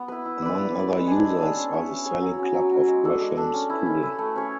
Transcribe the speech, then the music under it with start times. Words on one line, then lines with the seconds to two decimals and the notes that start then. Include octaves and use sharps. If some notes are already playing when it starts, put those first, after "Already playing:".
Among other users are the Sailing Club of Gresham's School.
Already playing: B3
0.08 E4 B4
0.25 E4
0.42 B4 D5
0.58 E4
0.75 B4 D5
0.91 G#3
1.07 D4 G#4
1.24 G#3
1.40 D4 G#4
1.57 C#4
1.73 G#4 C#5 E5
1.89 C#4
2.05 G#4 C#5 E5
2.22 F#3
2.39 C#4 F#4
2.54 F#3
2.71 C#4 F#4
2.87 G#3
3.04 D4 A4
3.21 G#3
3.37 D4 A4
3.54 C#4
3.70 E4 B4
3.86 C#4
4.03 E4 B4
4.19 A3
4.36 C#4 G#4 C#5